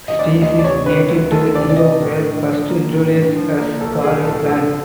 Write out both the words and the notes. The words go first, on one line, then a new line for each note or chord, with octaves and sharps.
Species native to Europe were first introduced as garden plants.
D#5
D2 D5
D2 D#5
D5
C3 C#5
D#3 B4
D2
D2 A4
C3 D5
D5
D#3 D#5
A2
D4
F3
A#3
A2
D4
F3
A#3
B1 A4
B1 G#4
A2 A4
F3 A4